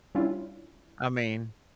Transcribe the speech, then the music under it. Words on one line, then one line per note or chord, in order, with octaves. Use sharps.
I mean
G3 C#4 D4 E4 F4